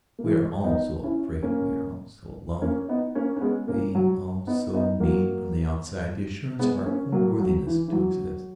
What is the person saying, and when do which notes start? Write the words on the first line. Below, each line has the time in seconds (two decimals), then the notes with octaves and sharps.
We are all so afraid, we are all so alone, we all so need from the outside the assurance of our own worthiness to exist.
0.19 A#3
0.24 E3 G#3
0.63 B3 D#4
1.03 C#4 E4
1.43 A#3 C#4
2.62 A#3 C#4
2.89 B3 D#4
3.15 A#3 C#4
3.36 C#4
3.41 G#3 B3
3.68 A#3 C#4
3.95 F#3
4.47 B3 D#4
4.74 B3 D#4
5.00 F#3 A#3
6.59 G#3 B3
6.86 A#3 C#4
7.12 F#3 A#3
7.40 F#3
7.66 E3
7.88 E3
7.92 F#3